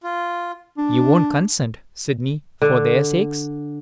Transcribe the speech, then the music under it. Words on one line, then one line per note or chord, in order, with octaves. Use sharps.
You won't consent, Sydney, for their sakes?
F4
D4
D3